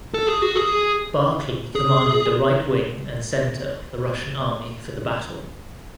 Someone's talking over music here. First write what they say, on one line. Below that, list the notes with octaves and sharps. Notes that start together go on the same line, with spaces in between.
Barclay commanded the right wing and center of the Russian army for the battle.
A4
G#4
F#4
G#4
G#4